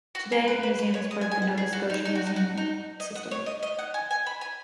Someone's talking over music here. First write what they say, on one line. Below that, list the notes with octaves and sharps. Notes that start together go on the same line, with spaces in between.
Today the museum is part of the Nova Scotia Museum system.
F#4
G#4
B4
B4
B4
C#5
D#5
G#5
G#5
F#5
G#4
F#4
D#4
D#4
F#4
D#4
F#4
D#4
D#5
F#5
C#5
D#5
D#5
F#5
G#5
G#5
B5
G#5